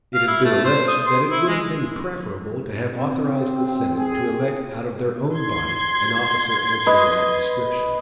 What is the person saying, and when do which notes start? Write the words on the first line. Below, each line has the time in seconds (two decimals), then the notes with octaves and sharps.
It has been alleged, that it would have been preferable to have authorized the Senate to elect out of their own body an officer answering that description.
0.14 F5
0.28 E4
0.45 A3
0.64 C5
0.88 D#6
1.07 C6
1.31 E4
1.48 G#3
2.97 C4
3.98 G#4
5.35 C6 G#6
6.87 B4 D#5